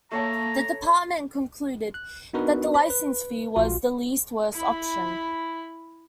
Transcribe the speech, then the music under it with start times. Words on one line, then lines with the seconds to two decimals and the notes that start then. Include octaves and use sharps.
The Department concluded that the licence fee was "the least worse option".
0.12 A3 A#3 C#5 A5 A#5
1.94 F#6
2.33 B3 D4 D#4 F#4 A#4 B4
2.74 C5 C#5 B5
2.90 B4
3.56 A#1 F4 F#4
4.52 E4 B5